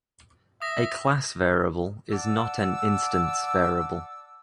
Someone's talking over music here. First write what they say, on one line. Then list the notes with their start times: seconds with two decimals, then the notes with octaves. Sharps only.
A class variable is not an instance variable.
0.62 E5 D#6 A#6
2.11 D5 F#5 A5 D6 E6